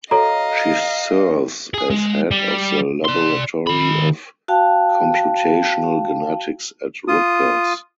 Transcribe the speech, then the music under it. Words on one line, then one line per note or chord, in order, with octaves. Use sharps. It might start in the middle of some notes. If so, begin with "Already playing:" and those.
She serves as Head of the Laboratory of Computational Genetics at Rutgers.
F#4 A4 C#5 D#5 F5 A#5
G#4 G#5
G#3
G3
D5 C6
D#3 B5
F#4 F5 G5 A5
F4 D#6